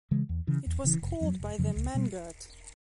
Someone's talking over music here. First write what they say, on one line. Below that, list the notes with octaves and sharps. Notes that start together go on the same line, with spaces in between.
It was called by them "mangurt".
C#3 E3 G#3
E2
C#3 E3
E2
C#3 E3
F1
F2 C#3 F#3
F1
F2 C#3 F#3
C#2
B2 G3